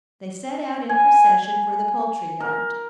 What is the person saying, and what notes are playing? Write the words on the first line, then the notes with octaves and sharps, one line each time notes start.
They set out in procession for the poultry-yard.
G#5
A#4